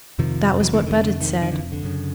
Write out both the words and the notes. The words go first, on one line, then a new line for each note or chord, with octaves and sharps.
That was what Budd said.
F2 C3 D#3 F3
E3 F#3
D3 E3
D#3
D3
D#3
D#3
D3 E3
D3
F#2 C#3